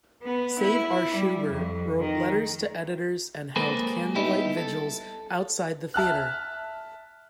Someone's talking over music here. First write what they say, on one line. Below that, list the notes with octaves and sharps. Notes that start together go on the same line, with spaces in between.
Save Our Shubert wrote letters to editors and held candlelight vigils outside the theater.
B3
E4
G3
F2
D#3
G#3 A#3 C4 G#4 A4 B4
G3 B3 D#4 E4 G4
A4
E5 A5 F6 F#6